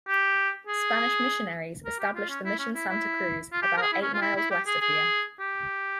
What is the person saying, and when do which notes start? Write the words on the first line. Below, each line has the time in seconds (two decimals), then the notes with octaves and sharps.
Spanish missionaries established the Mission Santa Cruz about eight miles west of here.
0.08 G4
0.67 G#4
1.85 A#4
1.99 G4
2.15 F4
2.29 C#4
2.45 E4
2.59 C#4
2.74 E4
2.89 E4
3.53 F4
3.62 G4
3.77 A#4
3.82 G#4
3.93 E4
4.02 C#4
4.13 F4
4.21 E4
4.36 E4
4.51 G4
4.66 G#4
4.81 G#4
5.40 G4